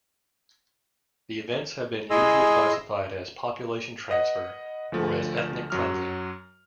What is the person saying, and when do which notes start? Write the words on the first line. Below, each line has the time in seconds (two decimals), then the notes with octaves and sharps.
The events have been usually classified as population transfer or as ethnic cleansing.
2.10 E4 G#4 D#5 G#5 C6 E6
4.09 B4 D#5 F#5
4.92 D2 F3 A3
5.70 F#2 F#3 F6